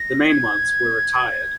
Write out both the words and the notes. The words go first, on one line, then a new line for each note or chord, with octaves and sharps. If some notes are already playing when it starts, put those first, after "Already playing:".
The mean ones were retired.
Already playing: A#6
G#6